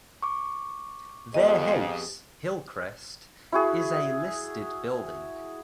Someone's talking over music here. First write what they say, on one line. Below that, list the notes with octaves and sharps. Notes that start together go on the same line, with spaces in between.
Their house, Hillcrest, is a listed building.
C#6 D6
F2 B3 G4 G#4 D#5
E4 F#4 G#4